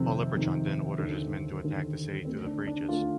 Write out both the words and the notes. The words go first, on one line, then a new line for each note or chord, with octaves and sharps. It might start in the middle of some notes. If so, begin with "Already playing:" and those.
Polyperchon then ordered his men to attack the city through the breaches.
Already playing: F2 C3 D#3 C4
F2 C3 D#3
D#2 D3
D#2 D3
D2 D3 C4
D4
D4
D2 D3 F4